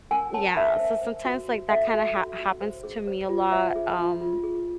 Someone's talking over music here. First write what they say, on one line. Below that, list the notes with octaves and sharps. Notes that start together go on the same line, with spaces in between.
Yeah. So, sometimes, like, that kinda hap happens to me a lot, um,
A#4 G#5
C#5 A5
A#4 E5
C5
C5
F#4
F#4
A4 E5
F#4
F#4
F#4
C5
G#4
C5
F4
C5 E5
G#4
F4
F4
G#4